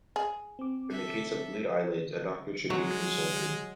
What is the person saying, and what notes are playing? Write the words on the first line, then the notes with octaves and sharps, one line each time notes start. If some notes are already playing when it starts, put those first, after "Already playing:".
In the case of glued eyelids, a doctor should be consulted.
G#4
C4 D6
A4 E5
F#3 G#3